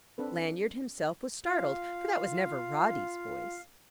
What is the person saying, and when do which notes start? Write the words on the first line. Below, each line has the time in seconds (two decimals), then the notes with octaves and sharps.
Lanyard himself was startled: for that was never Roddy's voice!
0.18 C4 D4 A4 B4
1.46 F4 F5